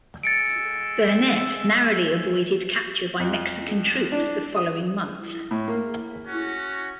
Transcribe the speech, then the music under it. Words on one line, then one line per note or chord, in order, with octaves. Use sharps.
Burnet narrowly avoided capture by Mexican troops the following month.
G#3 E6 A6 C#7 D7
F2
D4
D#6
A2
A#3
C#4 F#4